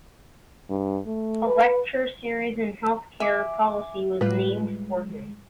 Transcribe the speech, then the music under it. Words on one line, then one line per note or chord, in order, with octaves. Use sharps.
A lecture series in health care policy was named for him.
G2
A3
B4
E5 G#5 D6
A2 G3 G#3 F4 B4